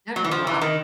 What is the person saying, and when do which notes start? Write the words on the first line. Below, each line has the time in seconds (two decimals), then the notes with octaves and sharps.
There's a lot
0.16 F#3
0.24 E3
0.31 F3
0.47 E3
0.62 D#3